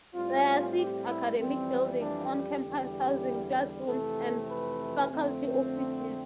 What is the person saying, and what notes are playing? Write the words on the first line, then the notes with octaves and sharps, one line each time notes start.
There are six academic buildings on campus housing classrooms and faculty offices.
A2 G3 C4 F4
G4
E4
F2 E3 G3 C4
D4
G4
E2 D3 G3
F2 C3 E3 A3 C4 A4
B4
F2 D3 A3 C4